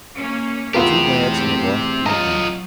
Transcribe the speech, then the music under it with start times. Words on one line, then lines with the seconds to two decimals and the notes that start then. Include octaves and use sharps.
The two lads in the loft peered down.
0.17 A#3 C#4
0.74 E2 A2 B3 C4 F4 G4 A#4
2.06 F#3 F4 D#5 A#5